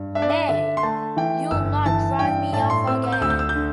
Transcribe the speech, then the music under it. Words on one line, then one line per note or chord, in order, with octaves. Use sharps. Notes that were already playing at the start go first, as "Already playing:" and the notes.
Nay, you’ll not drive me off again.
Already playing: G2
D4 E5
D5
E5
D3 E5
C6
A3 A5
E3 G5
G1 E6
E3 A5
G2 G5
A2 A5
C6
C4 E6
E6
G6
D2 E6
G6
E6
G6
D3